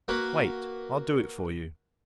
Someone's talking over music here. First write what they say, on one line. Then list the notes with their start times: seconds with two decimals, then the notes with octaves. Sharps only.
"Wait: I'll do it for you."
0.08 A#3 F#4 B4